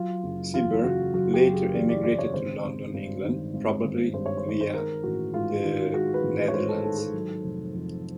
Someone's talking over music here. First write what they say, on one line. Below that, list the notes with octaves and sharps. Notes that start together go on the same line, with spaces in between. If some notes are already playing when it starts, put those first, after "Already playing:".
Cibber later emigrated to London, England, probably via the Netherlands.
Already playing: F#3 F4
F#1
E2 F4
C#3 F#4
F#3 F#4
G4
F#1
G#4
E2 D5
D5
C#3 D5
C#5
G#1 C5
G#1
G2
D#3
G#1
G#1
G2 C5
C#5
C5
D#3
C#5
C5
G#3 A#4
A1 F#4
G#2 F4
D#3 F4
G#3 F#4
B4
A1
C#5
G#2 C5
A4
D#3 A4
A4
F#3
F1
F2